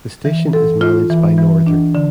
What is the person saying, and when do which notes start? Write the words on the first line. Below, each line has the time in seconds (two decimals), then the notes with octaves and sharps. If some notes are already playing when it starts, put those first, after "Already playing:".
The station is managed by Northern.
0.25 E3
0.53 A4
0.81 F4
1.10 E3
1.38 E3
1.66 D4
1.95 D3